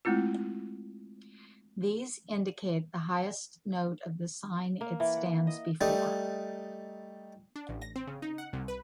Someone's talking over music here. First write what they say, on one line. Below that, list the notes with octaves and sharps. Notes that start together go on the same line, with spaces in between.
These indicate the highest note of the sign it stands before.
G#3 A3 C4 E4 F4
A#3
E3
F#5
D#5
G3 A3 D#4
D4
A1
A#6
C4
C#3
D#4
F#5
C2
B4